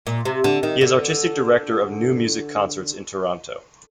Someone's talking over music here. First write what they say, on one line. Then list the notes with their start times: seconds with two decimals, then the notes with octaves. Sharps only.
He is Artistic Director of New Music Concerts in Toronto.
0.07 A#2
0.25 C3
0.44 D3
0.63 D#3
0.81 D3